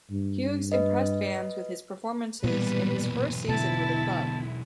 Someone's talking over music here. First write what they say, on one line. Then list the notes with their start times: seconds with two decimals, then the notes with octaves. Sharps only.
Hughes impressed fans with his performances in his first season with the club.
0.11 G2
0.72 B4 D#5
2.43 B1 A#2 E3 G3 B3 B4
3.48 B2 D3 E4 A5